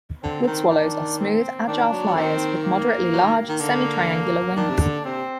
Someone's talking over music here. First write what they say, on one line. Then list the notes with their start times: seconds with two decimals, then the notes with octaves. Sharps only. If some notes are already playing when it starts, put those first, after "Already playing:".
Woodswallows are smooth, agile flyers with moderately large, semi-triangular wings.
0.23 D3 C4
0.42 D3
0.47 D#3
0.70 D#3 D4
1.19 C4
1.67 D#3 D4
1.92 F#3
2.07 F#3
2.15 D#3 C4
2.64 A#3
3.12 F#3
3.24 D#3
3.49 D#3
3.60 D3 A#3
4.09 A#3
4.56 D#3 D4
4.69 C3
4.81 D3
5.05 C3 C4